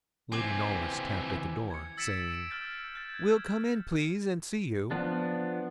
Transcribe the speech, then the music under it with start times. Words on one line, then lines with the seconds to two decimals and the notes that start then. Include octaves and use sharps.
Lady Knollys tapped at the door, saying--'we'll come in, please, and see you.
0.32 E3 C4 G#5 D6 G#6
1.70 G#6 C#7
1.98 E6 A6 B6 C#7 D7 E7
2.34 D7
2.51 E6 F6 G6 A6
2.95 G6 A6
3.14 G#6
4.91 F3 B3 D4